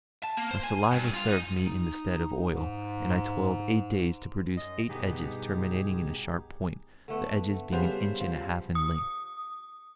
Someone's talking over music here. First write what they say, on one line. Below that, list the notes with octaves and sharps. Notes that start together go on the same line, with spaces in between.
My saliva served me in the stead of oil, and I toiled eight days to produce eight edges terminating in a sharp point, the edges being an inch and a half in length.
A5
A#3
C5
G#5
G2
F4
D#4
D#4
G#2
F#2 D#5
G2 B2 B3 D#4 G4 G#4
D3 A3 B3
C#3 G3 B3 C5 F7
F3
D#6